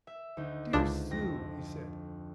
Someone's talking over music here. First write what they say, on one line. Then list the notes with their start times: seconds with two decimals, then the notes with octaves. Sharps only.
"Dear Sue!" he said.
0.07 E5
0.37 D2 D#4
0.73 C#2 D4
1.11 F2 C4 A#6